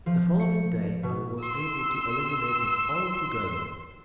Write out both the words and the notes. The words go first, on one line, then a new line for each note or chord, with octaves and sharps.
The following day I was able to eliminate it altogether.
F3
C#7
B2
C6 E6